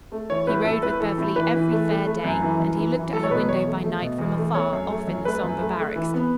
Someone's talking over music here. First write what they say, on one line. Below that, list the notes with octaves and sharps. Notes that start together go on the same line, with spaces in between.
He rode with Beverly every fair day and he looked at her window by night from afar off in the sombre barracks.
A3
E3 C#5
A2 B4
A2 A4
A2 B4
E3 A4
A2
E3 B4
E3
A3
A3
A3
F#2
E3
F#2
E3
E3
F#3 A4
C#5
B2 B4
E2 C#5
A3
A3
B2
E2
A3
A3 C#5
F#2
A3
F#2
A3 B4
F#2
A3
A3
E3
B3